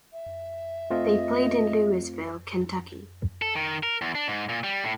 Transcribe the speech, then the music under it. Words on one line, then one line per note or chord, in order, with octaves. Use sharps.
They played in Louisville, Kentucky.
E5
A3 C4 F4 D#5
A4
D#3
A#4
E2
D4
G#2
A#2
G3
A2